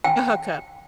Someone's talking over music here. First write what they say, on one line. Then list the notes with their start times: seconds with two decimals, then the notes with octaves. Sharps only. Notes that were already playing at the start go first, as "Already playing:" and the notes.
A hookup.
0.04 G5